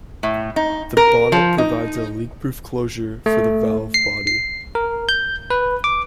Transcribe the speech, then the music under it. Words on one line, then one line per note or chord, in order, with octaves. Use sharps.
The bonnet provides a leakproof closure for the valve body.
A2
D#4
A#4
F3
D#4
A3
C7
C7
A#4
G6
B4
D6